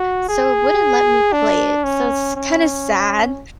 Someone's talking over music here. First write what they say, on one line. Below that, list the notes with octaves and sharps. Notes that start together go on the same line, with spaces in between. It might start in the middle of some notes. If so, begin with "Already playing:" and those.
so it wouldn't let me play it, so it's, kinda, sad.
Already playing: F#4
G#4
D4
C#4
C#4